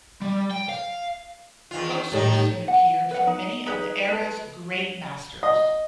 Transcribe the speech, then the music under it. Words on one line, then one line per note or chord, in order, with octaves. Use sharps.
Posters soon appeared from many of the era's great masters.
G3
G5
F5
E2 D#3 F4
A2 D#3 G3 D#4 A4
F#5
B4 F#5
D#4
D#4 G#4 B4
A4 B4
D#5